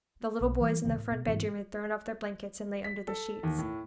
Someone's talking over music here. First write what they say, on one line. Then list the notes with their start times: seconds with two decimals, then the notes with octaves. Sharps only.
The little boys in the front bedroom had thrown off their blankets and lay under the sheets.
0.41 B1
0.61 E3 G3
0.84 C#2 C#3 E3 B3
0.97 A2
1.12 B2
1.27 G#2 C3 E3
2.84 B6
3.08 A4
3.43 D#2
3.59 A2